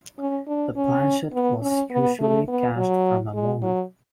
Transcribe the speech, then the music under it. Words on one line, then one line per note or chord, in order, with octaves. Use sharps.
The planchet was usually cast from a mold.
C#4
D4
C#4
B3
C#4
B3
A3
B3
F#3
G#3
F#3